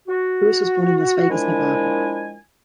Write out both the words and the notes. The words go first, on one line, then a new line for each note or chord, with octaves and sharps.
Lewis was born in Las Vegas, Nevada.
F#4
A#2 F3 G#3 D4 E4 G#5